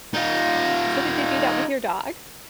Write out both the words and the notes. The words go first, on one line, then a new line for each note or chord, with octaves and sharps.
So, did you do that with your dog?
D#4 F4